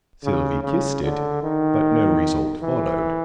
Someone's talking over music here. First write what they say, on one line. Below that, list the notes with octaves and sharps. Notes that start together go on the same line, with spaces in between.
Sylvie kissed it, but no result followed.
C#3
C#3
D3
D#3
E3